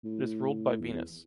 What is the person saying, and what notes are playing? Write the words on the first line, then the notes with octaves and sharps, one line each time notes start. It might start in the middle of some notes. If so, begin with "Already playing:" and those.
It is ruled by Venus.
A2
E2
E2